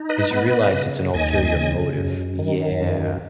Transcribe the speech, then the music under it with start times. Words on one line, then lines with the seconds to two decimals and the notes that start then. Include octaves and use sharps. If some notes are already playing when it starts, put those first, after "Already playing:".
'Cause you realize it's an ulterior motive. Yeah.
Already playing: D#4
0.09 B4 D#5
0.31 B3
0.72 C#3
1.14 D#2 D#5 G#5
1.55 C#3
1.97 F#2
2.39 D#3
2.80 F#2